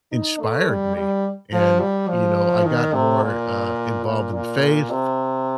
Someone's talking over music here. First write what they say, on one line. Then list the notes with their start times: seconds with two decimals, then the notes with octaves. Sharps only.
inspired me, and, you know, I got more, uh, involved in faith,
0.12 D#4
0.40 A3
0.69 G3
0.97 G3
1.53 F3
1.80 G3
2.09 F3
2.65 D#3
2.93 C3
3.22 A#2
4.06 A#2
4.34 A#2
4.91 C3